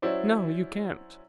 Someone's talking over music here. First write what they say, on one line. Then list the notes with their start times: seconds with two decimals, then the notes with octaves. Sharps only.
"No, you can't."
0.02 F#3 C#4 E4 C5 D5